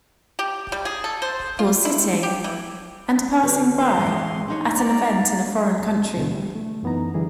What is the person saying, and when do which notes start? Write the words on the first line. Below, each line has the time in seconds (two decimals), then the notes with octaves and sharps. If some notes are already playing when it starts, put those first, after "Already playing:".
People sitting and passing by at an event in a foreign country.
0.39 G4
0.72 G3
0.85 G#4
1.04 A4
1.22 C5
1.59 F4
1.85 E4
2.23 G4
2.44 E3
3.43 D3 F#4 B4
3.78 C6
3.96 A2 E3 G#3
4.48 D4 D#4 C#5
4.77 D5 A#5
6.17 B2 D3 E3
6.31 G3
6.55 A3
6.83 F#2 E3 B3 D#4 A#5
7.14 D3 E3 G3 G#4